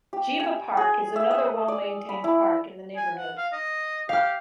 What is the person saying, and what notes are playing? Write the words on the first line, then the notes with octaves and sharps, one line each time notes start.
Jeeva Park is another well-maintained park in the neighbourhood.
G4
G#5
G#4
E5
D#5
D5
B5
E4
G#5
F#5
F5
D#5
G4 F5 F6